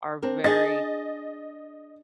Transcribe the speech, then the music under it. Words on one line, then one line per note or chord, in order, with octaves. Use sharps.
are very,
C4 D4 A#4
D4 G#4 D#5 A6